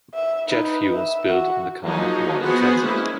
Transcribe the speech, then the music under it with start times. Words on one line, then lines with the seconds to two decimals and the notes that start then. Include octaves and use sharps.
Jet fuel spilled on the car while in transit.
0.14 E5
0.47 D#4 B4
0.96 E5
1.29 F#4
1.84 F3 F#3 A#3 D#4 F#4 G#4
2.42 B3 F#4 G#4 B4 C5
2.82 G#3 A#3 C#4 E4